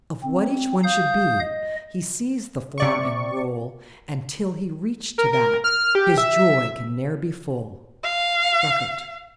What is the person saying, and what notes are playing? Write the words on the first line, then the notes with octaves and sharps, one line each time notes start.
'Of what each one should be, he sees the form and rule, And till he reach to that, his joy can ne'er be full.' RUCKERT.
C4
F5 D#6 G6
D#5
C3 D5 C#6
A#4
A#4
F6
G4
E5
F5